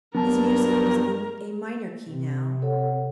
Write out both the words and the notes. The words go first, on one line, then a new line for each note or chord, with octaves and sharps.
His music was in a minor key now.
G2 F#3 B3 A#4 A5
C3
A4 C#5 F#5